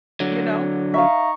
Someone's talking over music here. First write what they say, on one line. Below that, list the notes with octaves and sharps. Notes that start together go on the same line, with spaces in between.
you know?
D3 F#3
D#4 E5 F5 A#5 C#6